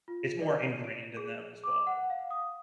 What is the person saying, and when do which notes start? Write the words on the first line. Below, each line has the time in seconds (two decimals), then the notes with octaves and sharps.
it's more ingrained in them as well.
0.08 F4
0.41 D5
0.84 D7
1.17 G#4
1.64 D6
1.87 F#5
2.10 F5
2.31 D#6